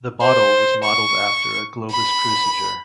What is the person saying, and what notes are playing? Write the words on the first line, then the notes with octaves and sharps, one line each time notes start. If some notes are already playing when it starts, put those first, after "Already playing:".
The bottle was modeled after a Globus cruciger.
C5
C#6
B5